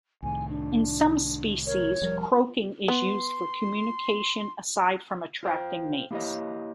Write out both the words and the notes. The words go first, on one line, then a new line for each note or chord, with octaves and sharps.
In some species, croaking is used for communication aside from attracting mates.
C2 A2 D#3 G#5
D4
A#4 C#5
E1 F3 G3 A#4
B3 C6
F4 C5 G5
A#3 E4 G4 B4 C#5 D#5